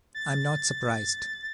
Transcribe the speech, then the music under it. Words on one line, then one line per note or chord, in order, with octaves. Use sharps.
I’m not surprised!
A6